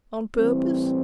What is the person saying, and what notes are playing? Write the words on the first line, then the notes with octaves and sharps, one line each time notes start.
On purpose.
A2 E3 G3 C4